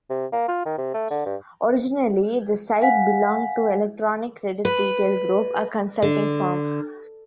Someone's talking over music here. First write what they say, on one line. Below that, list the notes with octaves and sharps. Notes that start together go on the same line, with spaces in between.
Originally the site belonged to Electronic Credit Retail Group, a consulting firm.
C3
A#3
F4
D#3
C3
A3
D3
G2
F5 F#5 G#5 B6
B4
D3